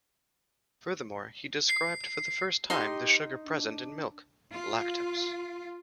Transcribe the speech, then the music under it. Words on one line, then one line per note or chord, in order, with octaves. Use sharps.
Furthermore, he described for the first time the sugar present in milk, lactose.
C7
D#4 G4 C6
D4
F4